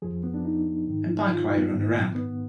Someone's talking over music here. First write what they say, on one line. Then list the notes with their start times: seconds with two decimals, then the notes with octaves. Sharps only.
A bike rider on a ramp.
0.02 F2 F3 G#4
0.23 B3
0.34 D4
0.45 D#4
0.87 G#2 D#3
1.30 F4
1.44 D#4
1.58 B3
1.72 G#2 D#3
2.15 B3